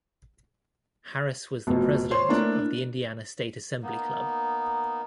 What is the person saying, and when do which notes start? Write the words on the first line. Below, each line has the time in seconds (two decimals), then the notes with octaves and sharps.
Harris was the president of the Indiana State Assembly Club.
1.67 F1 B2
2.11 C5 C#5 C6
2.29 A3 A#3 D4 E4
3.83 A#3 B3 D#4